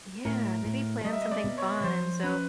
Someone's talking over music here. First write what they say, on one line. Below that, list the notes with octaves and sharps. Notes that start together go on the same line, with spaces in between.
Yeah, maybe plan something fun, and so
A2 A#4
A2
G3 D#5
E5
D#5
D5
B2
C#5
F3 C5
C#4 B4